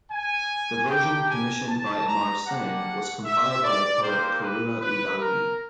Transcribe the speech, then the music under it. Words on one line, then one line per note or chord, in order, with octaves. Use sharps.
The version commissioned by Amar Singh was compiled by the poet Karuna-udadhi.
G#5
A#3 D4 G4 G5
G#5
A5
A#5
G3 A#3 D4 F#5
E5
D5
G3 A#3 D#4 C5
B4
B4
A#4